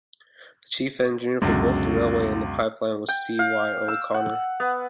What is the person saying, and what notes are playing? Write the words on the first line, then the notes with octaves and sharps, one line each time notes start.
The chief engineer for both the railway and the pipeline was C. Y. O'Connor.
C#2 F#2 B2 D3
G5
F5
E6
F#5
B3